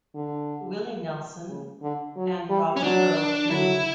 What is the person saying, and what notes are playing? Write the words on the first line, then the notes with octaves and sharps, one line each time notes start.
Willie Nelson, and Robert Earl Keen.
D3
C#3
D3
F#3
G3
C#4
F#3 D4
F#3 E4